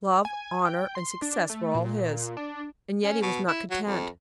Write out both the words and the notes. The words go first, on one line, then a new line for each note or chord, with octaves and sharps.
Love, honour, and success were all his, and yet he was not content.
G#5
G5
C6
D4
A3
A#2
D4
C#4
B2
E4
F#3
F2